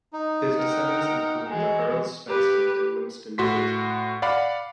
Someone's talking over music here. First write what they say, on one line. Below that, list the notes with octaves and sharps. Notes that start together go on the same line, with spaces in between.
His descendants include the Earls Spencer and Winston Churchill.
D#4
A#4 F#5 G5
E3 G#3 F#4
G4 B4
A2 F#4 C6 B6
D5 F5 F#5 B5